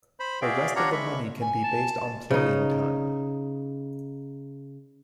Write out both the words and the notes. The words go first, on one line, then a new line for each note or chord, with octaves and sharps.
The rest of the money can be based on playing time.
C5 B5
F#4 G#4 D5 E5 F5 G5
D4 F4 G4 C#5 F#5 A#5
G#3 E5 B5 C#6
G#5
A5
C#3 D#4